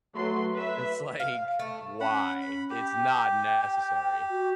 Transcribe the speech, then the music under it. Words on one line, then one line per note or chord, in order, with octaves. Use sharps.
it's, like, "Why? It's not necessary."
F#3 A3 B4 C6
B4 E5
F5
A3
C#4 F#5 B5
B5
G4
G5
F#4